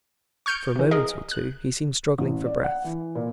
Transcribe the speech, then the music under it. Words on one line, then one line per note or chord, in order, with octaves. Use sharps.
For a moment or two he seemed struggling for breath.
C#6 F6 G6 C#7 D7
C3 E3
G#4 A#4 D#5
F#6
A1
D5
F#5
E3
A#2